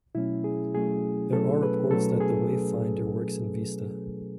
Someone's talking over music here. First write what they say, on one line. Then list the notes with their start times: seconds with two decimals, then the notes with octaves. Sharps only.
There are reports that the Wavefinder works in Vista.
0.15 B2 F#3 A3 C#4 E4
0.44 G#4
0.74 B2 F#3 A3 C#4 G#4
1.32 B2 F#3 A3 C#4 A4
1.63 B4
1.91 B2 F#3 A3 C#4 A4
2.20 G#4